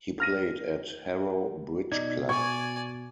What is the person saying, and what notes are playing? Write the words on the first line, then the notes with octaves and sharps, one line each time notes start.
He played at Harrow Bridge Club.
F6 A#6 D#7
B2 D#4 D5 G#6
D5 G#5 C#6 G#6